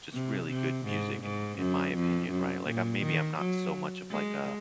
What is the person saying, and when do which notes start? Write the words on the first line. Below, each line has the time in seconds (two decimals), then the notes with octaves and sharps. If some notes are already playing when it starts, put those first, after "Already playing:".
just really good music in in my opinion, right, like, I'm maybe I'm not so much of, like, a
0.13 C3
0.49 C3
0.86 G#2
1.22 G#2
1.58 F#2
1.95 F2
2.31 F#2
2.67 A#2
3.03 D#3
3.39 F#3
4.11 G#3